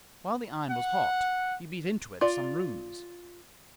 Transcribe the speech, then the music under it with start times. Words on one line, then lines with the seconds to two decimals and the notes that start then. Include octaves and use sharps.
While the iron was hot he beat into it some runes.
0.70 F#5
2.21 F4 D5